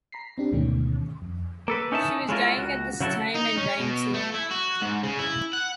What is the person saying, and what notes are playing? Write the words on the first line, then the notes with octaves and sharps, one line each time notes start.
She was dying at this time and died soon after.
A#5 B5 B6 C7
C4 D4 G4
D2 G#2 B2 D#3 A3 C#4
F2
A#3 A4 B4
C#4 D#4 E4 E5 A5
G#3 C#4 E4 F4 A#4
C#2 F#4
C#3 F#3 E4 F#4 A4
D#4
C#4
B2
A3
E4
F#4
G#2
C#3
E4
F#5